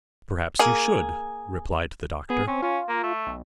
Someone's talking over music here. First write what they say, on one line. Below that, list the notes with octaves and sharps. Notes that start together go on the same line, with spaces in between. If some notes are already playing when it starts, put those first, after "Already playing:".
"Perhaps you should," replied the doctor.
A#3 G#4
B3 G#4
C4 C#4
C#4 F4
A#3
A3
B1